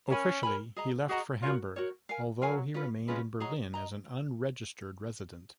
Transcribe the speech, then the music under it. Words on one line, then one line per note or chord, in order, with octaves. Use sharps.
Officially he left for Hamburg, although he remained in Berlin as an unregistered resident.
C#4 A#4 C#5 G#5 B5
A#4 C#5 G#5 B5
G#4 D#5 A#5
F#4 G#4 D#5 A#5
F4 F#4 A#4 C#5
F#4 A#4 C#5
A#4 F5 G#5
F#3 A#4 F5 G#5
C#4 F4 B4
G#3 C#4 F4 B4
F#3 G#4 D#5 A#5
D#5 A#5